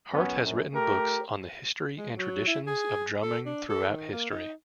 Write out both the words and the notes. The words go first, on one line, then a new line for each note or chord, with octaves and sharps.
Hart has written books on the history and traditions of drumming throughout history.
F#2 B3 C#4
A#1 F#2
A3 G4 A#4
G#3
F#3
E4
G#4
A4
D4
A4
D#3
A#3
D#4